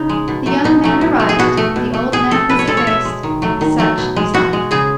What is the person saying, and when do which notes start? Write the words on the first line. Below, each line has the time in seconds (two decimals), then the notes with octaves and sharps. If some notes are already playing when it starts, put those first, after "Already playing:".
The young man arrived, the old man was effaced; such is life.
Already playing: C#3 D#4
0.09 G#3
0.28 B2
0.46 F#3 A3
0.64 B2 D#4
0.84 F#3 A3
1.01 B2
1.20 A3
1.29 G#4
1.39 B2 F#4
1.57 A3
1.76 B2
1.94 A3
2.12 B2 G#4
2.31 A3 A4
2.49 B2 B4
2.59 C#5
2.67 G#3 A4
2.77 C#5
2.87 B2 E5
3.05 G#3
3.23 D#3
3.42 F#3 A3
3.61 D#3
3.78 F#3 A3
3.98 B2
4.16 G#3
4.34 B2 F#4
4.53 G#3
4.71 C#3 G#4